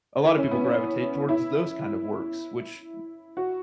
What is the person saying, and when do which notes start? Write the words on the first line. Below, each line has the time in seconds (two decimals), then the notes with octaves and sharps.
a lot of people gravitate towards those kind of works, which
0.25 E4
0.38 C#4
0.51 B3
0.65 C#4
1.29 E4
3.37 F#4